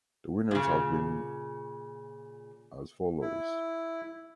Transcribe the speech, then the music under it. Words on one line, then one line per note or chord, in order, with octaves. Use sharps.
The winners have been as follows.
A#2 C#3
E4